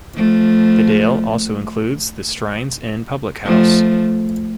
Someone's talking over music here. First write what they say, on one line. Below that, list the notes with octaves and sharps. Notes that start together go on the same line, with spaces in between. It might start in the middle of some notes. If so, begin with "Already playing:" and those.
The dale also includes the Strines Inn public house.
F3 A3
F3 A3